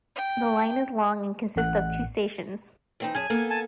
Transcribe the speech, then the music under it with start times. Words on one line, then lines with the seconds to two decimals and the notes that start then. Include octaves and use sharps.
The line is -long and consists of two stations.
0.16 G5
1.56 A1 A2 F#5 F#6
3.00 E3 C4 D#4
3.15 F#2 G#4 G#5 A5
3.30 A#3 B3 A4
3.50 G#5 A5